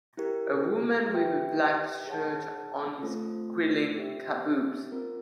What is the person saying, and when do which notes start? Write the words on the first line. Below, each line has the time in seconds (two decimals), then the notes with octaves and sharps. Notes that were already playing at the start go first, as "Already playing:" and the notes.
A woman with a black shirt on is grilling kabobs.
0.17 E4 G4 A#4
1.12 G4 B4 E5 G5
2.07 G#4 C#5 F#5 A5
3.03 A3 C4 F4 A4 C5
3.98 G4 C5 E5
4.92 C4 F4 A#4